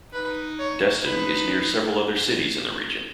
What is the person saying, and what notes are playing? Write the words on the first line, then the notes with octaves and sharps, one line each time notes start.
Destin is near several other cities in the region.
D#4 B4
C#5
D#4 B4